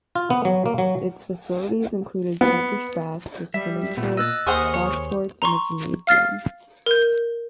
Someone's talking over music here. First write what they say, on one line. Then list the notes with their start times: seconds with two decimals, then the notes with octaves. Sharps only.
Its facilities included Turkish baths, a swimming pool, squash courts and a gymnasium.
0.15 F4
0.30 B3
0.45 F#3
0.66 A#3
0.78 F#3
2.41 B3
3.54 G3 E5
3.97 A#2 A3 B3
4.17 D#5 E6 F#6 A6
4.46 D#2 G#4 C5 F#5 C#6 D#6 F6
4.74 C#5
5.42 A#5 C6 C#6
6.07 F5 F6 A6 C7
6.86 A#4 G6